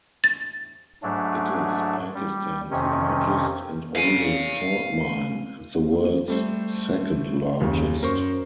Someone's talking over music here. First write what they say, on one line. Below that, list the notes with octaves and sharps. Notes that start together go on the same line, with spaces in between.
It is Pakistan's largest and oldest salt mine and the world's second largest.
A6
G#2 F#3 A3 D4
G3
F2 C3 D#3 C#4
F5 G#5
G3 A3 C5
F#1 D#2 C#3
F#2 A#4 C5 C#6